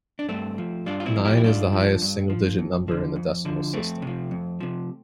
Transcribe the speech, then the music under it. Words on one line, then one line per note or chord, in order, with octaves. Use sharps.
Nine is the highest single-digit number in the decimal system.
D4
G2 A3 C4
F3
G2 D4 F4
F4
C4 E4
F3
E4 G4
E4
G2 D4 F4
F3
G2
F3
F2
D3 F3
F2
D3 F3
F2 A3 C4
C3 F3
F2
C3 F3